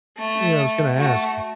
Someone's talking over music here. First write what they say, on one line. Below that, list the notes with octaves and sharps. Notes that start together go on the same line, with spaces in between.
Yeah, I was gonna ask.
A3
A3 F#4